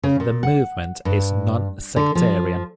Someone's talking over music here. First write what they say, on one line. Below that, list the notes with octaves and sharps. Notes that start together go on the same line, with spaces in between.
The movement is non-sectarian.
C#3
A#2
F#5
G2
D3
F3